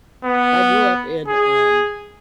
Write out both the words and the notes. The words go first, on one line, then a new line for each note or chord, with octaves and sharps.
I grew up in, um,
B3
G#4